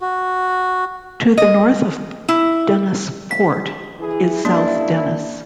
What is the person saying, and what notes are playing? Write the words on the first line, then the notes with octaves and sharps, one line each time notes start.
To the north of Dennis Port is South Dennis.
F#4
D#5
E4
B6
E3 E4 G#4
F#2 C#3 A#3 D4 E4